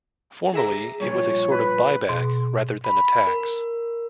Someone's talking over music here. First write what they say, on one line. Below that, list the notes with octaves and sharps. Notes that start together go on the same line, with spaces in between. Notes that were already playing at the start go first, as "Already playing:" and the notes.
Formally it was a sort of buy-back rather than a tax.
G#4 E5 A#5
G2 A#2 F3 C#5
B4
B2
B5
A#4